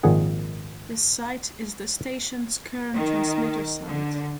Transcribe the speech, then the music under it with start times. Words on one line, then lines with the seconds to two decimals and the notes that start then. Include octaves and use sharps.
This site is the station's current transmitter site.
0.03 G#1 A#2 D#3 F3 G#4 F#5
2.93 D#3
3.86 D3